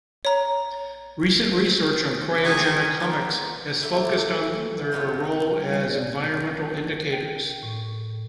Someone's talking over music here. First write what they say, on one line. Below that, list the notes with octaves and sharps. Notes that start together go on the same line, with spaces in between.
Recent research on cryogenic hummocks has focused on their role as environmental indicators.
C#5 A#5
D#3 G#4 G#5
A#3 B3 G5
A3 E4 G4
F#3 B3 D#4 F4
G3
D5
A#4
G5
A2